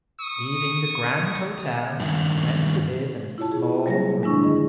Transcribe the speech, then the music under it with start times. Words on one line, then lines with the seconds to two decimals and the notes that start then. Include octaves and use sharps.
Leaving the grand hotel he went to live in a small room.
0.20 C#6 D#6
2.00 G2 D#3
3.38 E4 F4 C#5 A5
3.52 G#4
3.86 F#3 G3 A#3 G#4 C#5 A#6
4.22 D#3 G#3 D4 E4 C#6
4.43 G2 D3 G#4 D#5